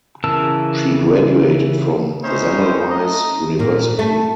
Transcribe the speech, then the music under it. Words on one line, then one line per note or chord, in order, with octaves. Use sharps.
She graduated from Semmelweis University.
C#3 E3 A#4 A5 E6
C4 C#4 D#4 E4 C5
A3 D#5 A#5
A#2
A3